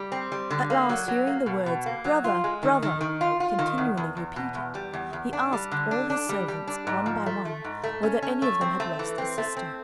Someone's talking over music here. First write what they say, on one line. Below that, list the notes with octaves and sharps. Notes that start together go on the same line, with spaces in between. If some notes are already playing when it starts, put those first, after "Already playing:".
At last, hearing the words "Brother, brother!" continually repeated, he asked all his servants, one by one, whether any of them had lost a sister.
Already playing: G3
C4
G3
D3
A#3
F#3
F#3
A#3
B2
B2
A#3
F#3
F4
G#3
D#3
D#3
D#3
F4
F4
D#3
E2
E2
E2
B2
E2
G3
E2
E2
D4
G3
D3
D4
D4
G3
G3
D4
G#2
F3
A3
A3
G#2
A3
C#4
C#4
A3
C4
A3
E3
C4
A3
C4